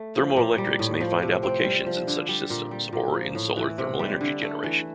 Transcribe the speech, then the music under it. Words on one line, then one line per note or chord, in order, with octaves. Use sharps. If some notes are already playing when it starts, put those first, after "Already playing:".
Thermoelectrics may find applications in such systems or in solar thermal energy generation.
Already playing: A3
F3
A#2
G3
A2
F3
C3
C4
G3
F3
D3
G3
A#2
G3
A#2
F3
A2
E3
C3
G3
D3
A3
E3